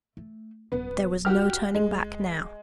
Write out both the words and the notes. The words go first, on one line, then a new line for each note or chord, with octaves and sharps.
There was no turning back now!
A3
D#1 F#2 B3
F#4 G4 F6
C#2 G#3